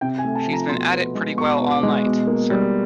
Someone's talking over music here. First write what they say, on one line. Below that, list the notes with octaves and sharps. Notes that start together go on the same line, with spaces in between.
She's been at it pretty well all night, sir.
C3 G5
G#5
A3
A5
F3
A#5
B2 C6
B3
G#3
B2 C#6
B3
D6
G#3
B2
A#3
G3